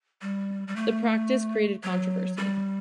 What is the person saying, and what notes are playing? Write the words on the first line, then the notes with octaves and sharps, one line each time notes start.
The practice created controversy.
G3
G3
A3
F#3
G3